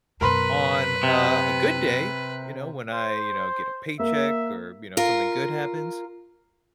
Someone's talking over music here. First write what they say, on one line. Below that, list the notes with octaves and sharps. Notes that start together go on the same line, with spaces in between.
on, uh, a good day, you know, when I, you know, get a paycheck or, you know, something good happens
F#2 B2 A#4 B4 B5 C6
C3
C5
A#3 E5
F4 A#4